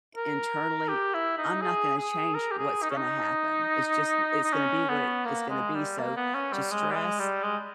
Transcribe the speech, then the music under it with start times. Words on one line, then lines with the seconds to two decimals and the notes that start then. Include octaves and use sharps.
i internally, I'm not gonna change what's gonna happen; it's just it's gonna be what it's gonna be, so, to stress
0.16 A#4
0.88 G4
1.14 E4
1.38 D#4
1.61 G#4
1.97 G#4
2.34 A#4
2.51 G4
2.59 G#4
2.82 D#4
2.90 C#4
2.97 D#4
4.44 D#4
4.53 C#4
4.89 B3
5.25 A#3
5.49 G#3
5.74 G3
5.98 A#3
6.16 B3
6.34 C#4
6.53 G3
6.71 G#3
6.91 G3
6.95 G#3
7.19 G3
7.43 G#3